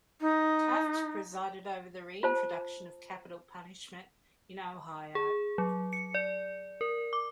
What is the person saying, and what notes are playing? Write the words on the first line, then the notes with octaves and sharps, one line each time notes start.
Taft presided over the reintroduction of capital punishment in Ohio.
D#4
F4 C5 A5
G#4
F#3
C#7
D5
A#4
D6